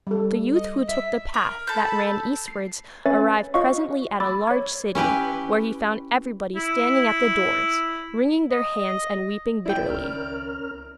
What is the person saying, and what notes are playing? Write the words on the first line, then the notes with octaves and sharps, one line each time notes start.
The youth who took the path that ran eastwards arrived presently at a large city, where he found everybody standing at the doors, wringing their hands and weeping bitterly.
G3 A4
D#5
E5
A#4
A4 A5 B5 G6
C7
C#4 B4 C#5 E5 G#5 A6
F4 C#5 D#5 F5 C#6
B5 D6 E6 A6
C#5 G#6
C#4 E4 G4 B4
E4
D#5
E4 D5 G5
C#2 D#3 C#4 A#4 F6